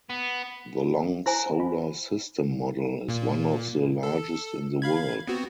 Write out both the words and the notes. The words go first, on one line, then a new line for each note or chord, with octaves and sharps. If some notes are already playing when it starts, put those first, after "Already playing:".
The long solar system model is one of the largest in the world.
B3
E4 C5 G#5 A#5
F4
A#2 A#3
A4
F5 B5 G#6
B3 C4 F#4